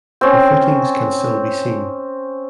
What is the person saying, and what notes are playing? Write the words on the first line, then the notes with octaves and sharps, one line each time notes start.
The footings can still be seen.
C4 C#4